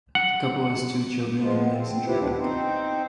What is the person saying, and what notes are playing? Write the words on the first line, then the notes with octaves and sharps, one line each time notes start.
The couple has two children and lives in Tribeca.
F#5
F3 G#3 B3 F4
C4
E4 F4 G4 B4 C5
D2 B3 D4
C4 D#4 C5